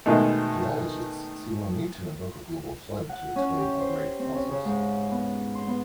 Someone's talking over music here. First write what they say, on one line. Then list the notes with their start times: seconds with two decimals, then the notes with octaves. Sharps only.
Geologists see no need to invoke a global flood to explain upright fossils.
0.06 B2 D#3 G#3 A3
3.09 F#5
3.36 C#4
3.58 G4
3.80 C5
4.19 C4
4.34 C#4
4.51 C#3
4.65 G#2
5.11 B3
5.55 C6
5.68 B3